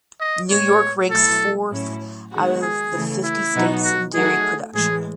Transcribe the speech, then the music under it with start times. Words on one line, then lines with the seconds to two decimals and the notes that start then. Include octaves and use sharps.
New York ranks forth out of the fifty states in dairy production.
0.20 D#5
0.50 A2 G#3 B3 C#5
1.11 B2 F#3 A3 E4 A4
1.71 A2 F#3 C#4 E4
2.32 D#3 G#3 B3 F#4
2.62 G#4
2.93 C#3 E3 A3
3.23 E4
3.54 B2 F#3 B3 D#4 F#4
3.83 F#4
4.14 F#3 A3 D#4 F#4 G#4
4.74 A2 E3 G#3 G#4